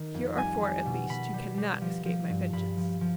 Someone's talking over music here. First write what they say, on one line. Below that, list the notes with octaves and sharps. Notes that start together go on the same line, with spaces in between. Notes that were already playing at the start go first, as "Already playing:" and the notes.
Here are four, at least, who cannot escape my vengeance.
Already playing: D#3
F2
G3 G#5
G3
B2
B2 B5
G3
G3
F3
F3
G2
G2 B5
F3
F3